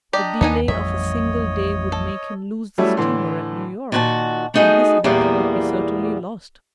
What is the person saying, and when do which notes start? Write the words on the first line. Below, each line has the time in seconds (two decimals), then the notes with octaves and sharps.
The delay of a single day would make him lose the steamer at New York, and his bet would be certainly lost.
0.13 D4 G4 D5 D#5 A#5
0.41 D#2 B3 D#4 G#5
0.68 A1 F2 G3 C#5 D#5 E5
1.92 A4
2.78 F#3 G3 A3 C#4 E4
2.97 A2 D3 E3 C6
3.92 A#2 D#3 F#4 G#5 A5
4.54 A3 B3 D#4 F#4 G#4
5.04 E2 A#2 G3 A#3 B3